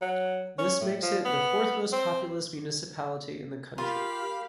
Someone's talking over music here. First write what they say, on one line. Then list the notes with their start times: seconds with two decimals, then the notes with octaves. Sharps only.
This makes it the fourth most populous municipality in the country.
0.02 F#3
0.58 C#4
0.81 A2
1.02 F3
1.25 B3
1.93 C4
3.78 F4 G4 A#4 F5 B5